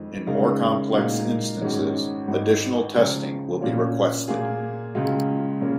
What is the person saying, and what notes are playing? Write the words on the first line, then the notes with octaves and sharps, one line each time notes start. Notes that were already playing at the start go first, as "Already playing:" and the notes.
In more complex instances, additional testing will be requested.
Already playing: F2 D#3 G#3
C#3 G#3 D#4 A#4 F5
A#2 G#3 D#4 A#4 F5
G#1 G#2 D#3 G#3 C#4
G#1 G#2 G#3 D#4
C#2 C#3 F3
A#1 A#2 A#3 C#4 F4
A#2 A#3 F4 G#4
C#2 C#3 G#3 F4
C#3 A#3 C#4